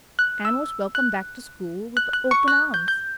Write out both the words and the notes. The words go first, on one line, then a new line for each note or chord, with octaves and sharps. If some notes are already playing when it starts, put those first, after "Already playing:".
Anne was welcomed back to school with open arms.
F#6
E6
F#6
F#6
F#6
C#6
F#6
G6
G6